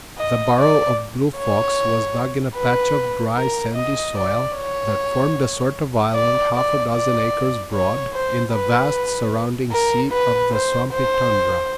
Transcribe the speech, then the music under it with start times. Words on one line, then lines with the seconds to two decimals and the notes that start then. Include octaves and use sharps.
The burrow of Blue Fox was dug in a patch of dry, sandy soil that formed a sort of island half a dozen acres broad in the vast surrounding sea of the swampy tundra.
0.18 D#5
0.58 D5
1.38 C#5
2.57 B4
3.36 A#4
3.75 D#5
4.15 D5
4.55 C#5
6.14 D5
6.55 D5
6.94 D5
7.74 C#5
8.14 C5
8.53 B4
9.72 A#4
10.12 B4
10.53 C5
10.92 C5